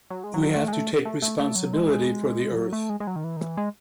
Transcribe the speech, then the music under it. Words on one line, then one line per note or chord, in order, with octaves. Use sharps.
We have to take responsibility for the earth.
F#3
G#3
F#3
A3
G#3
A3
A3
A3
A3
F#3
G#3
E3
F#3
A3
G#3
G#3
F#3
D#3
E3
D#3
E3
G#3